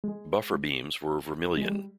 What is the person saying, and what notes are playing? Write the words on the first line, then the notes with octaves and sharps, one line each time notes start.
Buffer beams were vermilion.
G#3
G#3
G3